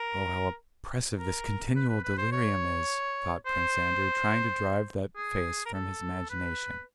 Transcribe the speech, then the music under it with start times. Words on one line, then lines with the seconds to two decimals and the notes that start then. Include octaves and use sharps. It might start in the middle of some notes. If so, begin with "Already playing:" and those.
"Oh, how oppressive this continual delirium is," thought Prince Andrew, trying to drive that face from his imagination.
Already playing: A#4
1.18 A#4
1.76 B4
1.89 B4
2.04 B4
2.18 C5
2.32 C#5
3.46 C5
5.17 G#4
5.66 A#4
5.74 A4
6.30 B4